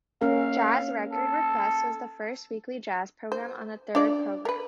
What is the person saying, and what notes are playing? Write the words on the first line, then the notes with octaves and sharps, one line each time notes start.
"Jazz Record Requests" was the first weekly jazz programme on the Third Programme.
A#3 C#4 A#4 F5
A4
C5
D4 F4 D5
A#4 B4